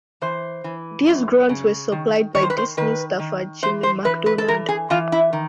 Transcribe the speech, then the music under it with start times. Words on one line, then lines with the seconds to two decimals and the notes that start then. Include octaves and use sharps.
These grunts were supplied by Disney staffer Jimmy MacDonald.
0.22 E3 C5
0.64 E3
1.07 F#2
1.49 C#3
1.92 D#3
2.35 D#3 C#5
2.42 C5
2.50 B4
2.57 C5
2.77 D#3 B4
3.19 D#3
3.62 E3 C5
3.83 C5
4.05 E3 B4
4.26 B4
4.38 A4
4.48 E3 A#4
4.69 G#4
4.90 E3 F4
5.12 E4
5.33 D#3